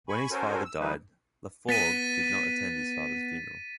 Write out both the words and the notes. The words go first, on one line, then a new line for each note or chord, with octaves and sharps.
When his father died, Laforgue did not attend his father's funeral.
G#5 B5 C#6
C#4 F#4 A4 A#4 C5 G#5
E6
E3 G3 A#3 D#4 B4
B3 A6 B6 D#7